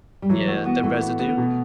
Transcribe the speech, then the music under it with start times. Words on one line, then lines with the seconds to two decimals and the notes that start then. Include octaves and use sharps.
Yeah, the residue
0.22 G3
0.29 E3 F#3
0.47 A3 F#4
0.65 B3 F#4
0.83 E3 A3
1.01 B3
1.19 B3
1.38 B2